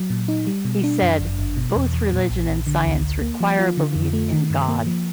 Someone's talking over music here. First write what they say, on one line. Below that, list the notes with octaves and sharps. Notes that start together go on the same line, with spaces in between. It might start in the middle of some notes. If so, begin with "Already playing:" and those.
He said: Both Religion and science require a belief in God.
Already playing: F#3
A#2
D#4
G3
B2
D4
F#2
G1
G1
B2
E2
E2
A#2
A#1
A#1
D3
D2
D2
A#3
F3
F4
D3
F2
A3
D#3
G2
A#3
F3